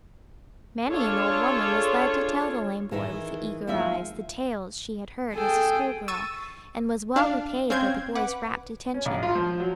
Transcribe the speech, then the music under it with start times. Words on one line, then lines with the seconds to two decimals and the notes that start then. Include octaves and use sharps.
Many an old woman was led to tell the lame boy with the eager eyes the tales she had heard as a schoolgirl, and was well repaid by the boy's rapt attention.
0.89 D4 F4 G#4 A4 C#5
2.91 D#3 E3 E4 G#4
3.67 D#2 F3 G#3 G#4 E5
5.34 G#4 A4 G5
6.08 C#6 E6 A6 D#7
7.16 D4 F5
7.70 C4 C#4 F5 G6 G#6
8.15 B4 F#5 D6
8.94 C#4
9.06 A#1
9.23 F4
9.35 F3
9.60 F#3